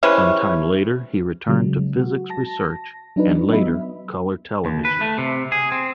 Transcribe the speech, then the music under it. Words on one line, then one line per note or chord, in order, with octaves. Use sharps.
Some time later, he returned to physics research and later colour television.
C3 E3 G#3 C#4
C#3 F#3 G#3
F#4
A5 A#6
F#3 D4 D#4 B4
F#3 B3 D#5 E5 B5
D#2
B4
A3
C3
G#4
C4